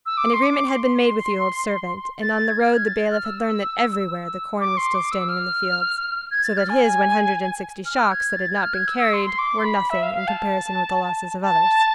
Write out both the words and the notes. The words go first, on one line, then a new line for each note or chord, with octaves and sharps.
An agreement had been made with the old servant, and on the road the bailiff had learned that everywhere the corn was still standing in the fields, so that his one hundred and sixty shocks that had not been carried were nothing in comparison with the losses of others.
E6
D6
C6
D6
C6
A6
A6
G#6
F6
G#6
A6
F6
E6
E6
D6
C6
D6
E6
F6
G#6
A6
F6
G#5
F6
G#6
A6
G#6
F6
G#6
E6
E6
C6
C6
D6
C6
B5
E5
F5
F5
A5
A5